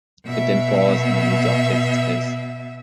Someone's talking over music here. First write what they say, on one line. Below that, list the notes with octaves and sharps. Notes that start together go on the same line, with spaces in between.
It then falls and a new drop takes its place.
B2 E5